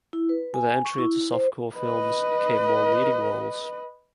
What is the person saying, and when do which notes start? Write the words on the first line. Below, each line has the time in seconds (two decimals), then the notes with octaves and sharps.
With her entry into softcore films came more leading roles.
0.13 E4
0.29 B4
0.54 G#5
0.85 C#6
0.98 E4
1.33 C5
1.78 B4 D#5